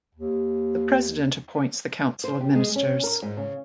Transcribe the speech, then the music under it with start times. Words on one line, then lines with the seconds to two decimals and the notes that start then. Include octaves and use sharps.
The President appoints the Council of Ministers.
0.15 D#2
2.24 C5
2.41 G4
2.55 G#3
2.76 C#4
3.03 A#4
3.22 G#2
3.37 C#3